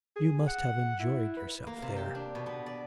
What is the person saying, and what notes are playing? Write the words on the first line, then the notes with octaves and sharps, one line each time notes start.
You must have enjoyed yourself there.'
G#4
F#5
E4
B4
A#3
C3
G4
D4
B2
B3
D5